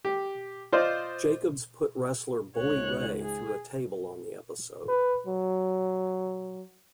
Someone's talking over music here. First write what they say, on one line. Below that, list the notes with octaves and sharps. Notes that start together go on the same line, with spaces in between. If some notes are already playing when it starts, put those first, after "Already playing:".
Jacobs put wrestler Bully Ray through a table on the episode.
G4
F4 C5 D5 D#5
C#2 G#2 C#5 F#6
G#4
B4
F#3